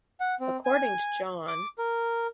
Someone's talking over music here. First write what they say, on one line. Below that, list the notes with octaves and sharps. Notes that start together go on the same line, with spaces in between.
According to John.
F#5
C4
G#5
D6
A#4